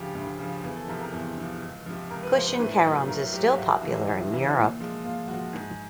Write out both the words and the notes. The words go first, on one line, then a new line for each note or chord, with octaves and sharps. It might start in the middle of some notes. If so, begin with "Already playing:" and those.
Cushion caroms is still popular in Europe.
Already playing: D2 C#3 F3 G4
D2
C#3 F3
E2 G#4
A4
C3 F3 A#4
A#4
E2
C3 F3
C#2
C3 F3
C#2 A#4
B4
C3 F3 C5
B4
A2 B4
F#3 A3
A2 A#4
F#3 A3 G4
C2 F#4
C3 E3 F#4
C2
C3 E3
A#2
F3 G#3
A#2 F4
F3 G#3 F#4
G#2 G#4